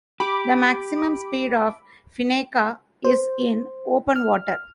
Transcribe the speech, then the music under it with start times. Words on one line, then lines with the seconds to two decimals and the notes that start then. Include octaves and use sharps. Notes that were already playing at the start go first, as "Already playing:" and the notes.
The maximum speed of "Fennica" is in open water.
0.20 G4 B5 D6 D7
3.05 C5
4.16 F6